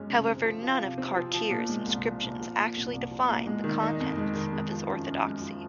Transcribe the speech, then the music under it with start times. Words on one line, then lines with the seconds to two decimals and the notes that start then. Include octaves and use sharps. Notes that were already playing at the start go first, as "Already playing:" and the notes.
However, none of Kartir's inscriptions actually define the contents of his orthodoxy.
Already playing: F#2 G#3 C#4
0.10 C#3
0.27 C4
0.45 F3
0.62 F4
0.81 C3
0.98 C4
1.16 F3
1.34 F3
1.51 A#2
1.69 G#3
1.86 C2
2.05 F3
2.22 A#2
2.40 F3
2.58 A#2
2.76 C2
2.93 C2
3.11 F3
3.29 A#2
3.47 G#3
3.64 D#3
3.82 D#4
4.00 F2
4.17 G#3
4.35 D#3
4.53 G#3
4.71 F3
4.89 F#2
5.06 F#2
5.24 G#3
5.42 F3